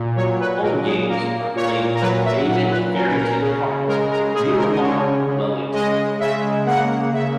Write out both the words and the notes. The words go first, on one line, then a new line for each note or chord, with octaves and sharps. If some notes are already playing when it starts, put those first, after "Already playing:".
Home games are played at David Farrington Park in Miramar, Wellington.
Already playing: A#2
F#3 C#5
B4
A#2 A#4
G#4
A#3 A#4
A#2 C#5
A#4
F#3 B4
E5
A#2 F#5
B4
C#4 A#4
B4
A#4
C#3
G#3 A#4
A#4
C#3 G#4
A#4
D#5
C#4 C#5
C#3
G#3 D#5
C#3 E5
A#3 F#5
C#3 E5